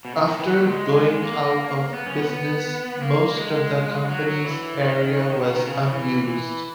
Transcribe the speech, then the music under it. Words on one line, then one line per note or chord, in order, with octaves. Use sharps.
After going out of business most of the company's area was unused.
B2
C#3
D#3
E3
F#3
A#3
G#3
G#3
A#3
B3
C#4
B3
B3
A#3
G#3
F#3
F#3
E3
D#3
C#3
D#3
C#3
D#3
C#3
E3
E3